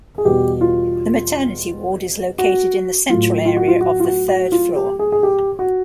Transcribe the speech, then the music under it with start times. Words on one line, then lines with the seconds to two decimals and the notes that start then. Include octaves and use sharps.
The maternity ward is located in the central area of the third floor.
0.18 G#4
0.25 E2 B2 G3 G4
0.61 F4
2.39 F#4
3.09 A2 F#3 F4
3.45 F4
3.57 F#4
3.68 F4
3.81 F#4
4.00 F4
4.05 F#4
4.28 F#4
4.52 F4
4.76 G4
4.99 G#4
5.12 G#4
5.23 G4
5.59 F#4